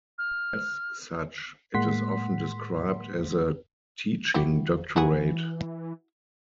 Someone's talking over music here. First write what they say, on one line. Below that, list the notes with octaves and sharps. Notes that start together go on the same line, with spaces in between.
As such, it is often described as a "teaching doctorate".
F6
A2 G#3 A#3 F#5 C6 B6
E4 F#4 G4
E3 E4 F#4 G#4